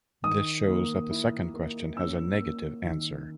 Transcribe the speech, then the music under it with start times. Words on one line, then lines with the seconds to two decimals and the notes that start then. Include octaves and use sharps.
This shows that the second question has a negative answer.
0.24 D#3 D#6
0.67 A#3
1.10 E4
1.54 A#3
1.97 C#4 E6
2.40 A#3
2.84 D#3